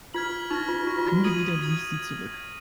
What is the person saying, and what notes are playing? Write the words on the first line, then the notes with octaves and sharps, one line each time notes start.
Angewidert wich sie zurück.
F4 F6 G#6 B6 F#7
D#4 C#6 F6 A#6
F4
F#4 C#6 F6 A#6
F4
F#4
D#6 G#6 D#7 F#7
D#6 G#6 D#7 F#7